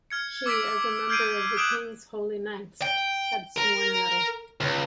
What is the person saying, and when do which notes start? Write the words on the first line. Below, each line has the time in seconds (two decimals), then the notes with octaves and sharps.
She, as a member of the king's holy knights, had sworn an oath.
0.10 F6 G#6 C#7
0.46 D6 E6 G#6 B6 D7
1.09 F6 G6 G#6 C7 D7 D#7
1.57 D#6 F#6 G#6 D7 E7 F#7
2.82 G5
3.58 A#4
4.61 C#2